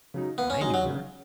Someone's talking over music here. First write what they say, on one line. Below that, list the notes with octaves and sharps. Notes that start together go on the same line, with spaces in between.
I knew her.
C#3 F#3 D#4
D#2 B3
C#4
C#3 F#3 G#3 D#4
F#3
C#3